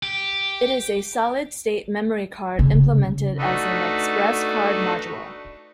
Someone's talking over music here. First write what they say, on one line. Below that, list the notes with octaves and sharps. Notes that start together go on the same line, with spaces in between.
It is a solid-state memory card implemented as an ExpressCard module.
G4
C#3
A3 D4 D#4 F#4 A4 B4